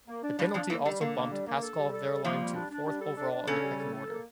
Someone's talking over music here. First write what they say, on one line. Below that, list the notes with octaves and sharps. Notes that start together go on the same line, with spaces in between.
This penalty also bumped Pascal Wehrlein to fourth overall in the pecking order.
A#3
D4
G2 G3 D4
F2 F3 D4
E2 E3 A#3
D3 G3
D3 A#3
A#3
G3
A#3
A4
G3
A4
G3
F2 F3 A#3
G3
D4
D4
G3
A4
D4
D4
C#3 C#4 A4
G3
A4
A4
A#3